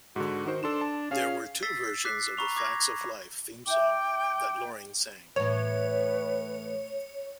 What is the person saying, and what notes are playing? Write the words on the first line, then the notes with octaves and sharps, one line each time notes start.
There were two versions of the "Facts of Life" theme song that Loring sang.
G#2 D3 F#4
D#3 F#4 C5
D4 A4 C6 E7
A5
C#4 G#4 F5
E6 A6 B6 C7
D6 F#6 B6 C7
A#5 B5 C#6 F7
D6 G#6 A#6
E4 E5 F#5 G5 D6
A2 E3 B4 C#5